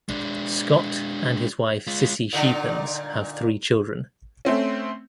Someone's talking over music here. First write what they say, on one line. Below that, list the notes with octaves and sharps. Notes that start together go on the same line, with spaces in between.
Scott and his wife Cissy Schepens have three children.
G#3 D4
G#3 F4
A#2 D3 D#4
A3 C4 C#4